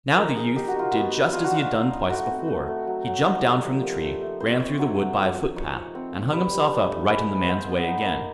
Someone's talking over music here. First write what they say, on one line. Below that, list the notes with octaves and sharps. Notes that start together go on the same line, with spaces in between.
Now the youth did just as he had done twice before; he jumped down from the tree, ran through the wood by a footpath, and hung himself up right in the man's way again.
F3 A#4
D#4 G#4
D#4 G4
F#4
D#4 F4
B3 F#4
D#4
D4 F4
F#4
D4 F4
D#4
D#4
A3 F#4
C4
A3
A3
F#3
F#3
D#4 C5
G3
F3
A#3
A3
A3
C4 C5
C4 C#5
F#3
F#3
F4
F3
D#4 C#5
F3
C4
F3
G3 B4
G3
D4
A3
G#3 B4
G#3
B3 C5
B3
D#4
A#3